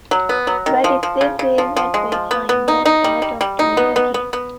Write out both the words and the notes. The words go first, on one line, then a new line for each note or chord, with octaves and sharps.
But if they feel that way, fine, don't ever talk to me again.
F#3
B3
F#3
D#3
F3
F3
C#3
C#3
F3
F3
G#3
F3
B3
B3
D#4
D#4
G3
G3
G3
D#4
B3
B3
B3
B3